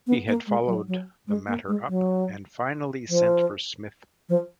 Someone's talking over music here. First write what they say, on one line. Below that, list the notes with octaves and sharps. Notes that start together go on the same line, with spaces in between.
He had followed the matter up and finally sent for Smith.
B3
A#3
G#3
F#3
F#3
G#3
A#3
G#3
F#3
F3
F3